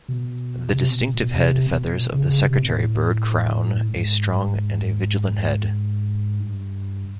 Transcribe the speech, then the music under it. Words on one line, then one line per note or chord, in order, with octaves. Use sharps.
The distinctive head feathers of the secretary bird crown a strong and vigilant head.
B2
C3
B2
A#2
A#2
B2
C3
B2
A#2
C#3
C#3
C3
A2
G#2
G2